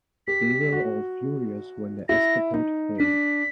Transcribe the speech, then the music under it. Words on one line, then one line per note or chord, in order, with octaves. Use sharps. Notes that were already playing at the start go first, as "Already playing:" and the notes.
They were all furious when the escapade failed.
G4 B6
F#4
E4 A#6
D#4
D4 B6